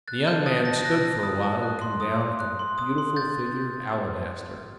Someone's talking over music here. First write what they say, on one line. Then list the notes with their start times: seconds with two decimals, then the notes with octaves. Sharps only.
The young man stood for a while looking down at the beautiful figure of alabaster.
0.08 F#6 A6
0.27 A5 G6
0.46 D#6 A6
0.65 A5 A#6
0.85 F#6 A#6
1.04 A5
1.23 D#6
1.43 A5
1.63 F#6
1.81 C6
2.01 D#6
2.21 C6
2.40 F#6
2.59 C6
2.78 D#6
2.98 C6
3.16 G6 A6